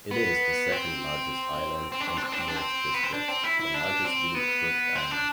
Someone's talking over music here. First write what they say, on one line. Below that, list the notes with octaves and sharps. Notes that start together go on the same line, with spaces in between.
It is the second largest island in North District, the largest being Crooked Island.
B3
C4
C4
D4
C4
D4
C4
D4
C4
D4
C4
B3
C4
D4
C4
E4
E4
D4
C4
B3
C4
D4